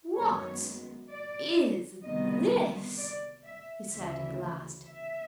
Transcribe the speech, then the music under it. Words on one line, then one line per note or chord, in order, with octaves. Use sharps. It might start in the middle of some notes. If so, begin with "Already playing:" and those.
'What--is--this?' he said at last.
F#2 D#3 G#3 B3 C#5
D5
D2 C3 D#3 G3 B3 D#5
D5
E5
D2 C#3 E3 E5
E5